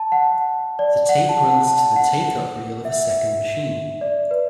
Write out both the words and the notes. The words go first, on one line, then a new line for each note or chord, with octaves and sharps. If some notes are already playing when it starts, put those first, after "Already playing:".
The tape runs to the take-up reel of a second machine.
Already playing: A5
F#5
D5
F#5
A5
F#5
A5
F#5
E5
D5
B4